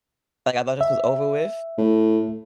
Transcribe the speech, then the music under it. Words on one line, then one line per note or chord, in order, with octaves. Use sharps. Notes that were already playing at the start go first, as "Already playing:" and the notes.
like, "I thought this was over with?"
E5
A2